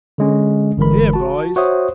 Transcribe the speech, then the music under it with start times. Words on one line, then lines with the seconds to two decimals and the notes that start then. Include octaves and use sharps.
Here, boys!
0.18 D3 G#3 C#4
0.77 G1 D3 E3 G#3 A#4 B5
1.13 F#4 A5
1.56 F#4 C5 C#5 E5 D#6